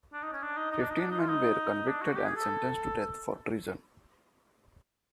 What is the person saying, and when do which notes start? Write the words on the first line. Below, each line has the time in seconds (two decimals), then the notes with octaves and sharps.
Fifteen men were convicted and sentenced to death for treason.
0.13 D4
0.23 D#4
0.32 C#4
0.42 D4
0.57 D#4
0.71 D#4
0.81 D4
0.90 D#4
1.00 D4
1.10 D#4
1.20 F4
1.29 D#4
1.87 D4
2.02 F#4
2.15 G4
2.25 G#4
2.36 A4